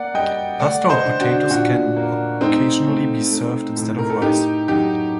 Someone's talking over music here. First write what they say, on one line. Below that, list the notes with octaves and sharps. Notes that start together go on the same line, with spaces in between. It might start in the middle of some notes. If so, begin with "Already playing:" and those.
Pasta or potatoes can occasionally be served instead of rice.
Already playing: A#3 D5 F#5
G3 D#5 G5
A3 D5 F#5
C5 D#5
D3
D4 F#4
A#2 D4 F#4
A#3
A3 C4 D#4
A3
A3
A2
A#4
A4
A3 D#4 G4
F#3 D#4 G4